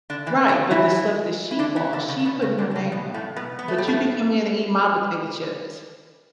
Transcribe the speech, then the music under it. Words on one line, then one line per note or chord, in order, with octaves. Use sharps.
Right, but the stuff that she bought, she putting her name on it. But you could come in and eat my potato chips.
D3 D4
E3 E4
D3 D4
E3 E4
E4
D3 D4
E3 E4
D3 D4
C#3 C#4
C#4
B2 B3
C#3 C#4
D3 D4
D4
C#3 C#4
B2 B3
A2 A3
B2 B3
B3
A3
G3
A2 A3